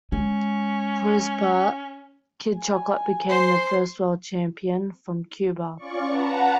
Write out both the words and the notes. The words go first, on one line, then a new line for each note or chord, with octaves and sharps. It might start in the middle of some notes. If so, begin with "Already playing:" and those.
For his part, "Kid Chocolate" became the first world champion from Cuba.
G#3 C#4
G#5
C5 C6
C#4 F4 D5 C#6
B4 F#5 A5 A#5